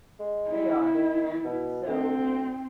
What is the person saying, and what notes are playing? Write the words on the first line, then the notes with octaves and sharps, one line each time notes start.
They are, and so,
G#3
E4
D#3
B2
D2 C4